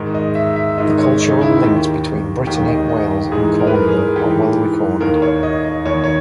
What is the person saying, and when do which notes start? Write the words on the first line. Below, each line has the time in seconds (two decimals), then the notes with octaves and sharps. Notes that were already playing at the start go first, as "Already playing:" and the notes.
The cultural links between Brittany, Wales and Cornwall are well recorded.
Already playing: G#2 D#3
0.14 D#5
0.35 E5
0.56 E5
0.78 G#2 D#3 D#5
0.98 C#5
1.20 D#4
1.41 E4
1.62 D#2 D#3 G4
2.47 D#2 D#3 G4
2.68 D#5
2.89 D#5
3.11 G4
3.32 G#2 E3 G#4
3.60 A#4
3.67 B4
3.75 A#4
3.88 G#4
4.16 G#2 E3 G4
5.01 D#2 D#3 A#4
5.22 C#5
5.43 D#5
5.64 D#5
5.85 D#2 D#3 C#5
6.04 C#5